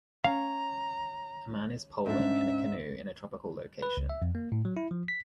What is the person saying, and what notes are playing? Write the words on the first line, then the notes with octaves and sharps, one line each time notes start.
A man is poling in a canoe in a tropical location.
C#4 F5 A#5
G#2 C#4 D4 E5
B4
C#2
E5
F2
A#3
A2
F#3
E4
F3
B6